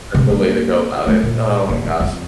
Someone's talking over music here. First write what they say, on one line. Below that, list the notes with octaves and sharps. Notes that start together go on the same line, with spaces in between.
that's the way to go about it. Oh my gosh.
C3
A#3
A3
A#2
A#2
G2
F2